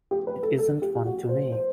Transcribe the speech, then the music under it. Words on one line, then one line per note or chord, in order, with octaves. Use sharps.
It isn’t one to me.
G4
B4
A4
A4
G4
G4
F#4
C5
C5